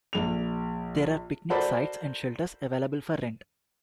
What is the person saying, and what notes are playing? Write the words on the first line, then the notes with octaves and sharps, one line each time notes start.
There are picnic sites and shelters available for rent.
A#1 F7
F#4 A4 A#4 C5 D5 B5